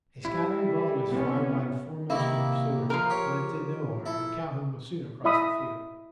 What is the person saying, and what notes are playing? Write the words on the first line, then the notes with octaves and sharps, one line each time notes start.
A scattering volley was fired by the foremost of the pursuers, but it did no harm, and Calhoun was soon across the field.
G3 E4
C3 B3 C#4
C3 D#3 A#3 E4
F3 A#4
G4 C#5
E4 A4
E4 D#5 E5 B5 D#6